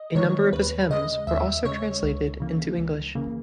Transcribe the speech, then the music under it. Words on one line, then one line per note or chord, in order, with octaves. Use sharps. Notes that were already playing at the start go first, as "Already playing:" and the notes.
A number of his hymns were also translated into English.
Already playing: D#5
D#3 G#3 B3 C#5
D#2 B4
C#3 G#3 D#5
D#2 E5
C#3 G#3 C#5
C#2
C#3 E3 A#3
C#2
C#3 E3 A#3